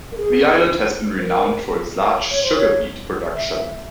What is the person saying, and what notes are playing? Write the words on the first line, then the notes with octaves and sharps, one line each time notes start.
The island has been renowned for its large sugar beet production.
A#4
G#4
C5
A#4
C#5
C5
C#5
E5